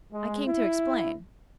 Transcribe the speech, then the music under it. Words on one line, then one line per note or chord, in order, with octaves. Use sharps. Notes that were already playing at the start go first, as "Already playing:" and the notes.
I came to explain.'
G#3
E4